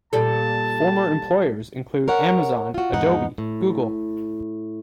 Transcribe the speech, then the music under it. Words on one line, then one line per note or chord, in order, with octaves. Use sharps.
Former employers include Amazon, Adobe, Google.
A#2 G3 A4 A5
A#4 C#5 F#5
F4 F#4
E2 G#2 D#4 F#5
A2